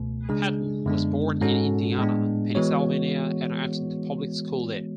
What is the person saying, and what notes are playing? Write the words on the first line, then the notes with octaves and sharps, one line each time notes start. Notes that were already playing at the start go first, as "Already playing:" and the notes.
Patton was born in Indiana, Pennsylvania and attended public school there.
Already playing: C#2 B2 A3
C#3 G#3 D4 G#4
F#2 D3 G#3 B3 D4
G#2 G#3 C#4 F#4 A4
A2 G#3 B3 D4
E3 G#3 B3 F#4 C#5